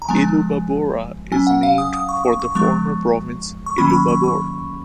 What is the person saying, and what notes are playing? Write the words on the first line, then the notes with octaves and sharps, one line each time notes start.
Illubabora is named for the former province Illubabor.
A#5
F3 G#3 B3 G#5
F#3 C#4 G#5
F#5
F5
D#6
D#6
C#6
C#6
C#6
F3 G#3 B3 C#6
C#6
D#3 F#3 A#3 C#4 B5
B5
C#6
C#6
C#6